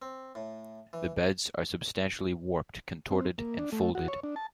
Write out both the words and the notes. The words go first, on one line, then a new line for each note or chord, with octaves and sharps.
The beds are substantially warped, contorted and folded.
C4
A2
E3
C4
A#3
D4
A3
F#4
C#5
D4
A5